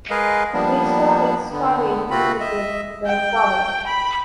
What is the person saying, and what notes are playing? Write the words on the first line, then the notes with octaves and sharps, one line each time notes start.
They started studying music with their father.
G#3 G#4 A#4 B4 D#5 F5
F3 G3 A#3 B3 D4
D3 B3
C3 C4 F4 F#4 B5
D#5 E5
G5
B5